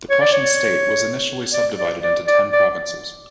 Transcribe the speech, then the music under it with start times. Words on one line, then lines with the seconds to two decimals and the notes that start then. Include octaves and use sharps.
The Prussian state was initially subdivided into ten provinces.
0.10 C#5
0.21 D5
0.33 C#5
1.53 D5
1.78 D5
2.02 D5
2.27 D5
2.53 D5